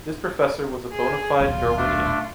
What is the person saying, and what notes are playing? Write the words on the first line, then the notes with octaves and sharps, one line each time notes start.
This professor was a bona fide Darwinian.
G#4
D#1 B1 F4
A3 D4